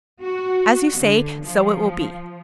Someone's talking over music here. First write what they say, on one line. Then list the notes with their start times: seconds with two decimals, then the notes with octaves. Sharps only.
As you say, so it will be.
0.22 F#4
0.98 D3
1.43 F3